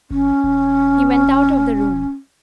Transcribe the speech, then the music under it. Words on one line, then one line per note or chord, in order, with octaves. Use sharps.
He went out of the room.
G1 C#4
E1